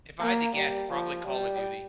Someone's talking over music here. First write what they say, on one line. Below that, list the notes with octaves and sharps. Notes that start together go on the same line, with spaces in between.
If I had to guess, probably Call of Duty.
A#3
G3
F3
G3